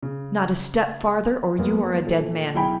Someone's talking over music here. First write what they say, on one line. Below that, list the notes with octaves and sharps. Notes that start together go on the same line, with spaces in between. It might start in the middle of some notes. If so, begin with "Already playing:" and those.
"Not a step farther, or you are a dead man!"
C#3
F#2 G#3 A#3 B3
A#2 A3
B1 E4 G#4 G5 B5